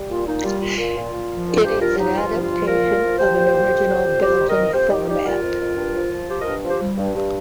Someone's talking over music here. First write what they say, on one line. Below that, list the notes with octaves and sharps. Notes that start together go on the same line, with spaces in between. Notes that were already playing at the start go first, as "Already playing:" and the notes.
It is an adaptation of an original Belgian format.
Already playing: G3
A#2 F4
A#2 D#4
G3 F4
A#2 F4
A#2
A#2
A#2
F3
A#2
G2 G4 C5
F3 F4 A#4
F3 D#4 G4
G2 F4
F3
F4
F3
A#2 F4 A#4
A#2
F3
F3 G4 C5
A#2
A#2
F2
G3
F2
G3 G4 C5
D#3
A#4 D#5
F2
F2 G4 C5
D#3 D#4 G4
G3 D#4 G4
G3 F4 A#4
F2
F2
G2
F3
F3
F3 G4 C5
G2 A#4 D#5
F3 G4 C5
G3
G2
G2